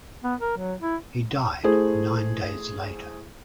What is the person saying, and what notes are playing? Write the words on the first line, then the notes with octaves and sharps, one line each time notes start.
He died nine days later.
B3
A#4
F#3
E4
A3 E4 G#4 C5